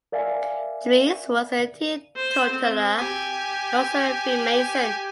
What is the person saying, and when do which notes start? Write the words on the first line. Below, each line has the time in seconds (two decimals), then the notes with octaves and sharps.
Drees was a Teetotaler, and also a Freemason.
0.12 A#4 D5 E5 F5 G#5
2.17 C5
2.51 C4
2.99 G4 G#5